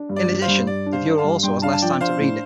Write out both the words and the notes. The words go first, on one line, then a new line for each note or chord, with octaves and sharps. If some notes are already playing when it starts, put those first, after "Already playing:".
In addition, the viewer also has less time to read it.
Already playing: D4
G2
D5
G2
C5 F5
G2
G2 D5
D4
C5 F5
D4
F5 A5
G2
G2 G5 C6
D4 F5 A5
A5
F3 D5 G5
D4 C5 F5
A2